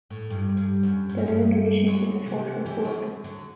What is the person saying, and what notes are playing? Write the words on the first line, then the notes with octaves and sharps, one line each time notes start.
The living conditions at the fort were poor.
A2
G2
G2
F#2
G2
F#2
G2
D3 F#3
C3 E3
E3 G3
D3 F#3
D3 F#3